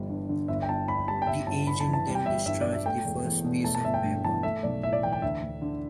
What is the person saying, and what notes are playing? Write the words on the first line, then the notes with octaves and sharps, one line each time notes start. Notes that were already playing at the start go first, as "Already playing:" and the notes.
The agent then destroys the first piece of paper.
Already playing: G1 E3 G3
G2
D3
G1 E5
G5
G1 A5
G2 B5
G3 A5
G5
G1 E5
G1 A5
G2 B5
A5
E3
A5
G3
G5
G1 E5
G2 E5
D3 D5
E5
A3 G5
E1
E2
B2
A3 A5
A5
G1 E5
G5
G2
E3 A5
A3 E5
B1 D5
A2 E5
D5
E3 G5
G5
D2 E5
D2
D3